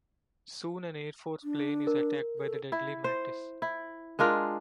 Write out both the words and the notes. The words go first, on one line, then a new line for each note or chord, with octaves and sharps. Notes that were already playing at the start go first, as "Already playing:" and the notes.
Soon an Air Force plane is attacked by the deadly mantis.
D4
A#4
A4
E4
C5
E4
G#3 D4 F4 A#4